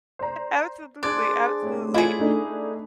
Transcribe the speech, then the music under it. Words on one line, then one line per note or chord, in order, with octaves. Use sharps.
Absolutely. Absolutely.
C5 D5 A#5
D4 G#4 C5 D5 F#6 G#6
A2 C3
E4 F4 G#4 B4 D#5 G#5
A3 D4 D#4